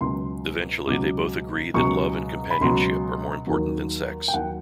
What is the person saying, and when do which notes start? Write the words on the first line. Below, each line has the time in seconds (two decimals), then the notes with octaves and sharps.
Eventually they both agree that love and companionship are more important than sex.
0.01 C#2 B2 F#3 C6
0.87 C#2 B2 F#3 D6
1.74 C#2 B2 F#3 C#6
2.50 B5
2.61 C#2 B2 F#3 C6
3.47 D#2 D#3 F#3
4.28 G5
4.34 D#2 D#3 F#3 F#5